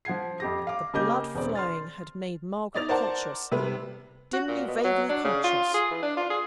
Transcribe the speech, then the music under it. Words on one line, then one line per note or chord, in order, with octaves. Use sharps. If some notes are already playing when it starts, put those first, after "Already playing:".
The blood-flowing had made Margaret conscious--dimly, vaguely conscious.
F3 F#5 G#6 C7
F2 G4 A#6
F5 D6
C#3 A#3 G4 D#5 D6 G6
E1 B3 C4 D5
C6 F6 A6
D#4 D5 A6 F7
A#4 C5 D5 F#5 A5
C3 G3 B4
F#4
A#2
B2
F#3
D4
C#3
F4
G#4
E3
D4
F4
G#4